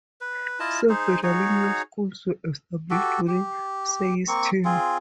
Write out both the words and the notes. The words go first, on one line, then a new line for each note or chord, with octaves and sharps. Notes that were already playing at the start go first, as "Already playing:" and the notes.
Several new schools were established during Seay's term.
B4
E4 F4 D#5 A5
D#4 G#4 C5
D#4 F#4 G#4 C#5
F#4 G4 A4
G4
A#3 C4 C#6
C4 F4 G#4